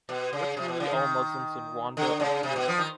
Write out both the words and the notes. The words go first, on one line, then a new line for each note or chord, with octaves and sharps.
Virtually all Muslims in Rwanda are Sunnis.
B2
C#3
C3
B2
C#3
D#3
D3
C#3
C3
B2
F3
D#3